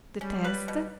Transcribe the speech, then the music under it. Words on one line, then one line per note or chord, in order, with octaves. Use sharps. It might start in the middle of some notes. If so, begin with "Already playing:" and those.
"The test?"
G3 C#4
B4
B2